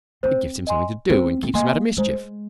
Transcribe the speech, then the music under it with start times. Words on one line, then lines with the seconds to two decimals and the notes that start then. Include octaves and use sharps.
It gives him something to do and keeps him out of mischief.
0.23 C4 C5
0.67 D#5 G#5 C6
1.10 C4 C5
1.43 C4
1.54 A#3 D#5 G#5 C6
1.97 G#3 C5